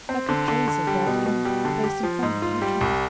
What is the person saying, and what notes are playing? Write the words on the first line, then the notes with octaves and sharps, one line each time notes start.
Lacquered trays were brought in and placed in front of each one.
C4
D3
D3
D3
G3
B2
B2
G3
D3
G4
F3
G#2
F4
G3
C2